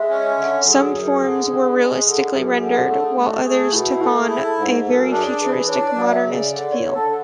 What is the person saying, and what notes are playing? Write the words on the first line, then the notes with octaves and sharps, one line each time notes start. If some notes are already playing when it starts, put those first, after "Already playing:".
Some forms were realistically rendered, while others took on a very futuristic, modernist feel.
Already playing: G#3 E5
C#4
D3
F#3 G#4
F#2
D3
D3
G#3
D3
F#2
D3
A3 A4
G#4
A3 F#4
A3 G#4
B2 E4
A3 F#4
G#4
E4
A4
G#2
F#2 A4
D4 G#4
E3 G#4
D4 C#5
D5
F#3
E5
C#3
D5
D3 D5
C#5
D3
A4
D3